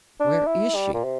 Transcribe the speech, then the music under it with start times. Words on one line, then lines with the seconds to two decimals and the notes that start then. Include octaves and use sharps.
"Where is she?"
0.20 D4
0.47 E4
0.75 G3
0.94 A#2
1.04 C3